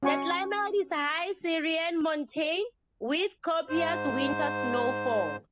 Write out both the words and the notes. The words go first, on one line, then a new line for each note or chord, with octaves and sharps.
The climate is high Sierran montane with copious winter snowfall.
C#4 F#4 G#5 C#6
G#2 C5